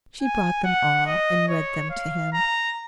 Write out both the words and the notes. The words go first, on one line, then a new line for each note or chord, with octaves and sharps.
She brought them all, and read them to him.
G#5
F#5
D#5
C#5
F5
A#5